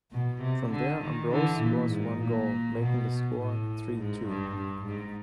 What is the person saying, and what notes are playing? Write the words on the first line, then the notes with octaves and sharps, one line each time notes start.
From there, Ambrose scores one goal-making the score three-two.
B2
C3
D3
D#3
D3 E3
A#2
G#2
A#2
B2
A2
G#2
G2
G2
G#2